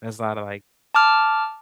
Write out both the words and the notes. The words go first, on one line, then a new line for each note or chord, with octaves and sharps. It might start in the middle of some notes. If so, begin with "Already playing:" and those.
there's a lotta like,
A5 D6 F6